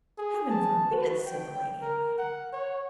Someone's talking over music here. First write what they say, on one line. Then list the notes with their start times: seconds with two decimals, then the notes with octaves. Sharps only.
'Heaven forbid!' said the lady-in-waiting.
0.18 G#4
0.50 A5
0.91 F#4
1.27 G5
1.82 A#4
2.18 F#5
2.53 C#5